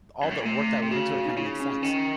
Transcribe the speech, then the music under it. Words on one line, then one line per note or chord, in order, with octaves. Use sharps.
all the work that went into it kinda makes sense.
F#2
A2
A#2
C3 A3
A3
C3
C#3 F#4
F#4
D#4
C#3 F4
C#4
D#3 C#4